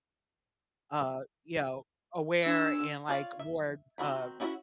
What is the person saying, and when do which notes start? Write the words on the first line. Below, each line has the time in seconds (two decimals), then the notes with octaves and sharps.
uh, you know, aware and, like, more, uh,
2.46 D4 E6
3.08 F4 C#5 D5 F5
3.39 E5
3.98 D#3 C4 D4 F#4 B5
4.40 C#4 E4 F#4 A4 E5